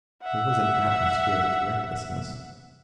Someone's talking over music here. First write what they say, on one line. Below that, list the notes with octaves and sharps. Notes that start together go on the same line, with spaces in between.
There was an atmosphere of recklessness.
E5 F#5